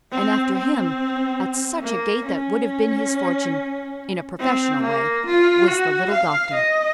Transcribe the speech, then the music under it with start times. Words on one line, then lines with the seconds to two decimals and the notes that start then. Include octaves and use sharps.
And after him, at such a gait that would have been his fortune, in a professional way, was the little doctor.
0.12 C4
0.54 C4
1.82 A#3
2.26 C#4
4.40 C4
4.83 A#3
5.26 F4
5.68 F#4
6.11 F5
6.55 D#5